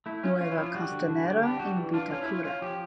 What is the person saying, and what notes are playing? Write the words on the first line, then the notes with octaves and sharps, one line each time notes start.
Nueva Costanera in Vitacura.
A3 E4
C#4 F4
C#4 F4
E4
F3
F4
G3 F#4
D3
D3
G3
D4 G4
G3 F#4
E3
D4 F4
C#4 F4
E4
C#4
F4
C#4 F4
F3 G4